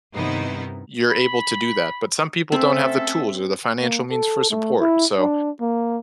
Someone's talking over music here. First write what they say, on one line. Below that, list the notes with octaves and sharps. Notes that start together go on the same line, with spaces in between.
you're able to do that. But some people don't have the tools or the financial means for support. So,
G2 C3 D#3 B3 D#4 E4
B5
A3 C4 C#4 A4 E5
A#3
A4
A3
E4
D4
A#3